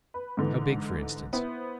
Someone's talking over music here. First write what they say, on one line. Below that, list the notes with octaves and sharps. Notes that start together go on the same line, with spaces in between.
"How big, for instance?"
B4
G#2 D3 E3
B3 E4 C5